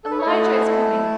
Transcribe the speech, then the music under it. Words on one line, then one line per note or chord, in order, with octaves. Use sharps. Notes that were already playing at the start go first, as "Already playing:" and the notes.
Elijah is coming!
A4
B4
C#5
A3 E4 A4 D#5
F#5
G#5